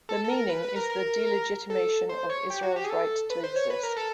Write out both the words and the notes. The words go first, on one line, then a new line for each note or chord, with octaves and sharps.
The meaning is the delegitimation of Israel's right to exist.
A4
A4
A#4
B4
B4
A#4
A#4
A4
C5
C#5
G4
F#4
G4
G#4
A4
B4
C5
C#5
B4
A#4
A4